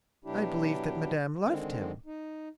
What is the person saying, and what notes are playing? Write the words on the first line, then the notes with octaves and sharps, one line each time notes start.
"I believed that Madame loved him."
B2 F#3 D4 E4 G4
D3 D#3 G#3 C4
D#4